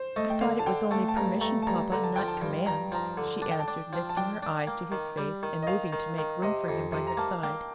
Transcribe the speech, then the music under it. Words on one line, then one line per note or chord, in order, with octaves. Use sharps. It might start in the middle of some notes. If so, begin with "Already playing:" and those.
"I thought it was only permission, papa, not command," she answered, lifting her eyes to his face, and moving to make room for him by her side.
Already playing: C5
A3 D#5
G5
D3 F5
A5
D3 G5
A3 A5
A5
G2 A#5
A3 A#5
A5
G2 A#5
D3 A#5
A5
F3 G5
A5
G2
G2 A#5
F3 A#5
D3
D4 A5
G5
A5
D4
F3
A5
D4 G5
D4
A#3
D#3
G3
D#3
D#5
D#3 F5
D#3
D#3
C3 D#5
F2
C3
A#5
A#3 A5
A#3 G5